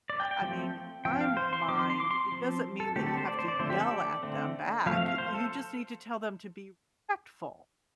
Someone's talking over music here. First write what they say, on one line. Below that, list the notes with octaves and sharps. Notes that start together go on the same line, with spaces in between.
I I mean, in my mind, it doesn't mean that you have to yell at them back. Y you just need to tell them to be respectful.
D5
G5
G5
F3 A3 C4
F3 C4 G5
F5
C5
C6
F3 C4 D6
C6
C6
D6
C6
F3 C4
A4
D3 A3 C4 G4
A4
C5
D5
C5
D5
D3 F3 A3 C4 C5
G4
A4
D5
D3 A3 C4
F3 A3 C4 F5
F5
F5
C5
A4